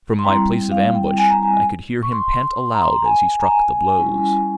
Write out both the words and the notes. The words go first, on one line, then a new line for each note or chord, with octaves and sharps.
From my place of ambush, I could hear him pant aloud as he struck the blows.
C6
G3 C4 E4 A#5
F5
G5
G#5
A#5
G#5
C#6
C6
C6
A#5
C6
A#5
G#5
A#5
G#5
G3 C#4 E4